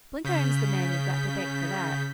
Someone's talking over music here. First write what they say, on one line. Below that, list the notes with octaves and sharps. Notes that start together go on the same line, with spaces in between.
Blenkiron's the man you've got to thank for that.
C#3 G6 B6